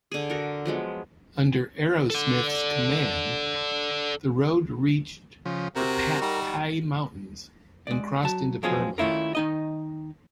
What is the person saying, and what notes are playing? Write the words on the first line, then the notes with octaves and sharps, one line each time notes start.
Under Arrowsmith's command, the road reached the Patkai mountains and crossed into Burma.
D3 G#4
F#4 A4 A#4
F3 F#3 G#3 B3
A4 D5
C#3 F3
C3 F#4 A#4
G3 D#4 F#4
G#3 D5
F#3 A5
F3 F#3 G#3 C4 F4 G#4
D#3 A3 C#4 E4 F4 A#4
D#3 D#4 D#5